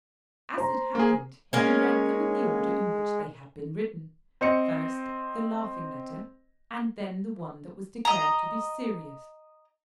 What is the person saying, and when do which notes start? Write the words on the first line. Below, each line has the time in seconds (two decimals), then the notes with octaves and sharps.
As it happened he read them in the order in which they had been written, first the laughing letter, and then the one that was declared to be serious.
0.57 C5 A#5
0.95 A#3 G#4
1.53 G#3 A#3 C#4
4.41 C4 D#5 C#7
8.05 D#5 A#5